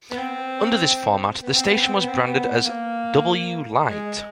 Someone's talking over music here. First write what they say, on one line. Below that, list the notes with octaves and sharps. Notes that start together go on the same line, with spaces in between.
Under this format, the station was branded as "W-Lite".
B3
C4
B3
C4
B3
C4
B3
C4
B3
A#3
G#3